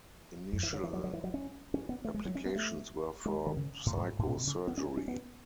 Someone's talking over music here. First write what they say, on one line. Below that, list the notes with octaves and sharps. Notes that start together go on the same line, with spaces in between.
Initial applications were for psychosurgery.
F#2
E3
C#3
E3
F#3
F#3
E3
F#3
C#4
C#4
B3
A3
G#3
F#3
C#4
B3
A3
G#3
D#3
C#3
A2
G#2
A2
B2
B2
C#3
B3
C#4
C#4
B3